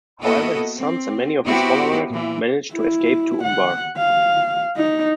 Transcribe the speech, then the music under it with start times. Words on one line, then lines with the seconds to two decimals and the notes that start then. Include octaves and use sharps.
However his sons and many of his followers managed to escape to Umbar.
0.22 A#3 B3 E4 F#4 A4 D#5
0.77 C4
1.44 B3 C4 E4 F#4 G4
2.08 A#2 E3
2.72 E4
3.43 F#5
3.97 F5
4.77 D#4